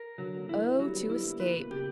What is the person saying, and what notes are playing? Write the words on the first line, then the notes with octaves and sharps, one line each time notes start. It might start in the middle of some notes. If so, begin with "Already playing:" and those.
Oh, to escape!
Already playing: A#4
D3 F#3
A#3
E4
A#3
F#3 G3
B3
B3 E4
A#3
A#3 B4
B2
C#3 G4